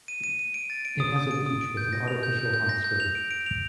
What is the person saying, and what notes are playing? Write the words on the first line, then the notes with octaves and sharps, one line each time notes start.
It has a beach with an artificial hot spring.
D#7
D#7
D#7
D7
A6
D7
D#6
D#6
D7
D#6
D7
G6
A#6
F7
G6
G6
G6
A#6
G6
F7
D7
D7
F7